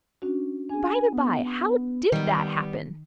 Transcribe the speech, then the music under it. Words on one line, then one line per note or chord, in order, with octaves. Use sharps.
By the by, how did that happen?
C#4 D4 F#4
D4 G#4 G#5
B3
D#3 G3 B3